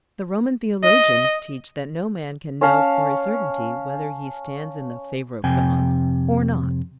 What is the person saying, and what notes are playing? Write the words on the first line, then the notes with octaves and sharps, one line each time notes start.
The Roman theologians teach that no man can know for a certainty whether he stands in the favor of God or not.
D#5
C#4 C#5 F5 A5
F2 C3 G5 G#5